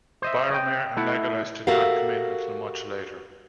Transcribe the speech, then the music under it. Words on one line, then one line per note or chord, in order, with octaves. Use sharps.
Boromir and Legolas did not come in until much later.
C5 D#5 E5
D#5 G5
A3 E4 F#5
F#4 G4 A4 A#4 E5 F5